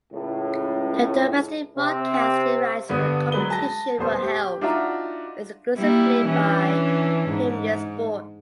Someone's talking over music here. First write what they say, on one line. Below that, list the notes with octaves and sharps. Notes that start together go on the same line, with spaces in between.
The domestic broadcasting rights for the competition were held exclusively by Premier Sports.
C#2 A2
C3 C4
G2 D3 B3 D#6
F#3 G#3 B4 G7
A5 A#6
D#1 B3 C5 C6
G4
D4 D#4 F4 F#4 E5 A#5
G3 A#3 E4
E3 C#4 D4
G#2